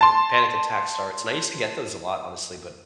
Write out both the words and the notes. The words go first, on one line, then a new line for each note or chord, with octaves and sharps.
panic attack starts, and I used to get those a lot, honestly, but
A5 C6